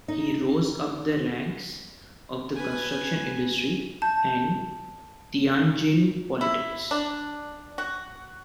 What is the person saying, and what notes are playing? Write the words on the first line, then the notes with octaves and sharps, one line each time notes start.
He rose up the ranks of the construction industry and Tianjin politics.
D#4
B4 G#5
A5 G6
E4
D4
F#4